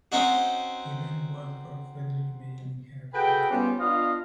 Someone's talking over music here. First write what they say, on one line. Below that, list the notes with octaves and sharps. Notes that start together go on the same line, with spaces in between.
He then worked for Friedrich Meyer in Herford.
C4 C#4 D#4 F#4
F#4 G#4 A4 B4 G5
G3 B3 C#4 F4 G4 C5
B3 D4 F4 D#5 F5